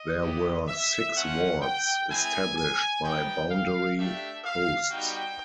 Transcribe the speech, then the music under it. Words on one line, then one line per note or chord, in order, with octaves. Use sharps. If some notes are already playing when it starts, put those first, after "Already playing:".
There were six wards established by boundary posts.
Already playing: D#5
B3 E4 G4
E5
A3 C#4 F4 F#5
G5
G#3 C4 E4 G#5
G#5
G3 B3 D#4 G5
F5
A3 D4 G4 E5
F5
G3 B3 D#4 F#4 G5